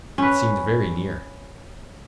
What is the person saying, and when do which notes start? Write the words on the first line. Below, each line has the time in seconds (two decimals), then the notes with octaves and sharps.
It seemed very near.
0.18 C#4 B4